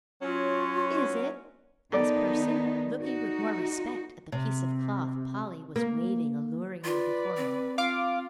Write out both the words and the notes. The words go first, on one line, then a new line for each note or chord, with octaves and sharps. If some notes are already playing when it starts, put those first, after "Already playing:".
"Is it?" asked Percy, looking with more respect at the piece of cloth Polly was waving alluringly before him.
F#3 C#4 F4
D#3 B3 D#4 A4 D5
D#4 F#4
C3
A#3
F4 B4 D5
C4
F4 F5 D6